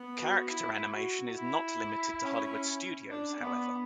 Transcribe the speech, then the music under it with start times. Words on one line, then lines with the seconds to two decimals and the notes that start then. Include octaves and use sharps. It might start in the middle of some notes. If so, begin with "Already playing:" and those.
Character animation is not limited to Hollywood studios, however.
Already playing: B3
0.20 F#4
0.48 E4
0.92 F#4
1.36 E4
2.23 C#4
3.10 D4
3.40 B3